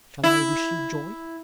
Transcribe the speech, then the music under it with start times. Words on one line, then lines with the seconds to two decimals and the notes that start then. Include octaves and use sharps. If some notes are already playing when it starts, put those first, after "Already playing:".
"Shall I wish you joy?"
0.24 E4